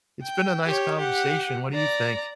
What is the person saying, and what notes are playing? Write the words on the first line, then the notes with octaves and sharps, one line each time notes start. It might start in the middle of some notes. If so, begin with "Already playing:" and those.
It's been a nice conversation, what do you think?
G5
G4 C#5
G4 F#5
D5 A#5